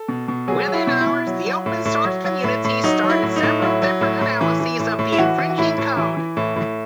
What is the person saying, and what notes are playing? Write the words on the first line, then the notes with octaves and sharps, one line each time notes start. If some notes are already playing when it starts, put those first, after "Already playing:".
Within hours, the open source community started several different analyses of the infringing code.
Already playing: A4
B2
B2
F#3 G#4
F#3
E4
B2
E4
B2
F#3
F#3
A2
A2
F#3
F#3
A2
A2
F#3 D#4
F#3
E4
A2
D#4
A2
F#3 E4
F#3
A2
A2
E3
E3
A2
A2
E4
E3 F#4
E3
F#4
A2 E4
A2
E3 E4
E3
A2
A2